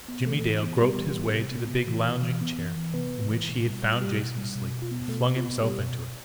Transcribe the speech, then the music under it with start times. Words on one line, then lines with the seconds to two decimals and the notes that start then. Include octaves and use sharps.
Jimmie Dale groped his way to the big lounging chair in which he had found Jason asleep, and flung himself into it.
0.08 B3
0.26 E3 A3 A4
0.44 E3
0.62 B3
0.80 G3 B3 G4
0.98 E3
1.16 B3
1.34 C3
1.51 B3
1.69 C3
1.87 E3
2.05 C3
2.22 E3
2.41 B3
2.59 E3
2.77 E3
2.94 C3 B3 B4
3.11 C3
3.29 E3
3.48 B2
3.66 G3
3.83 G3
4.01 B2 G3 G4
4.19 B2
4.38 G3
4.55 B2
4.72 B2
4.82 F4
4.91 B3
5.08 B2 A3 A4
5.26 B3
5.36 F4
5.44 B3
5.62 B2 G3 G4
5.80 B2
5.98 B2